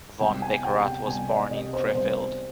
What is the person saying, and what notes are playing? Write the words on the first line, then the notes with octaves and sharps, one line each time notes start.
Von Beckerath was born in Krefeld.
C2 G5
G#5
C3 G5
G5
C2 G#5
D5
C3 D#5
C5
C2 C5